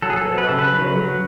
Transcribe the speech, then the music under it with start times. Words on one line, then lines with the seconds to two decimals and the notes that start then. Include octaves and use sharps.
Where are you going?
0.02 F#3 A4
0.10 G#4
0.16 A4
0.25 F#3
0.38 B4
0.49 C#3 A4
0.59 B4
0.73 F#3
0.96 F#3